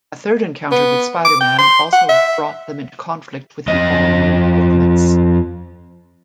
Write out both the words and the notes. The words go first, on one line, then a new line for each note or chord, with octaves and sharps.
A third encounter with Spider-Man also brought them into conflict with the All-New Ultimates.
B3
D6
G5
C6
F#5
E5
F2 D#5